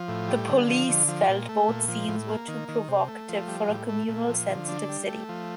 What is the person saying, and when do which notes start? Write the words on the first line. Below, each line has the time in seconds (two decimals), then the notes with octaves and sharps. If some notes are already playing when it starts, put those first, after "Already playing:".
The police felt both scenes were too "provocative" for a "communally sensitive" city.
Already playing: F3
0.08 A2
0.28 G3
0.48 D3
0.68 F3
0.89 D3
1.08 F3
1.29 A#2
1.49 A3
1.68 A#2
1.88 F3
2.08 A2
2.28 A#3
2.48 D#3
2.68 D#3
2.88 C3
3.08 A3
3.29 F3
3.48 G3
3.68 A2
3.89 A3
4.08 A#2
4.29 F3
4.49 D3
4.68 D4
4.89 G3
5.08 A3
5.29 F3